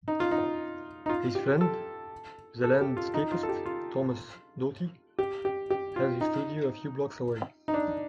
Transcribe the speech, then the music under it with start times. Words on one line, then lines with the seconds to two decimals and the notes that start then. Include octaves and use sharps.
His friend, the landscapist Thomas Doughty had his studio a few blocks away.
0.08 D#4
0.20 F4
0.31 D#4
1.06 D#4
1.09 F4
1.35 G4
1.61 A4
2.64 A4
2.81 G4
2.97 F4
3.14 D#4
3.32 F4
3.43 A4
3.49 G4
3.66 F4
5.19 G4
5.45 G4
5.70 G4
5.96 F4
6.21 D#4
7.68 D#4
7.74 D4